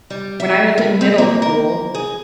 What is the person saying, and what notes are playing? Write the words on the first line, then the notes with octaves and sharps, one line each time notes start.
When I was in middle school
G3
E5
A2
C4
A#3
A#4
G#4